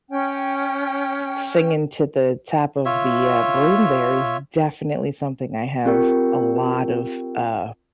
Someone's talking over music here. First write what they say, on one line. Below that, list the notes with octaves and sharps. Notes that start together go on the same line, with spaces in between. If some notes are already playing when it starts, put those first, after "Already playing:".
singing to the top of the, uh, broom there is definitely something I have a lot of, uh,
C#4 G5
F4 C#5 E5
C4 F4 G4 A#4 G5